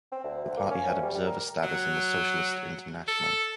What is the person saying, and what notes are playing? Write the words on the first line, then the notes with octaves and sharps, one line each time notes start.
The party had observer status in the Socialist International.
C4
D2
D2
A#3
C#4
D2
G3
G3
A#4
F#3
A4